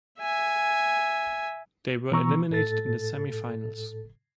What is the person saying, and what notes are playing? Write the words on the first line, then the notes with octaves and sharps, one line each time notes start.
They were eliminated in the semifinals.
E5 G#5
B2 E3 B3 A#5 C#6 E6
A2 A4 A6